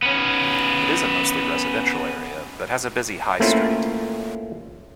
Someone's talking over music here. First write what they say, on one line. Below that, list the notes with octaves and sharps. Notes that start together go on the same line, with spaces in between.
It is a mostly residential area, but has a busy high street.
B3 C#4
A3 A#3 C4 C#4 E4 F4